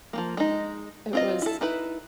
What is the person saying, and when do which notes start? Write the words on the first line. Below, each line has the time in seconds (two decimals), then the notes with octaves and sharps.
it was
0.13 F3 G3 A#3
0.37 G#3 D#4
1.13 C4 F4 D#5
1.42 E4 A4
1.61 D#4 E4 B4